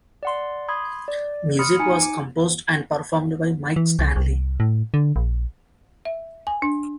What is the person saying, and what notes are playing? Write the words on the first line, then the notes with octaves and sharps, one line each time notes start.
Music was composed and performed by Mike Stanley.
D5 F#5 C6
B5 C6 D#6 G#6
D5
B5 C6 D#6 F6 C#7
D#4 G#5 C#7
D6
E3
C2
C2
A2
D3
A#1
E5
G#5
D4